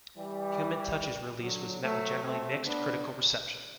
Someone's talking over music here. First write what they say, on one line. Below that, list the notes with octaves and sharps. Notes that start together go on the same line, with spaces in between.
"Human Touch"'s release was met with a generally mixed critical reception.
E3 G3
D3 F#3
F#3 A3
A3 C4
B3 D4